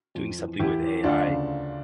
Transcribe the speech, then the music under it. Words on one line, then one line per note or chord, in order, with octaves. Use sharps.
doing something with AI,
F2
E3
E2 E4 G4
E3
D2 D4 F4
C#3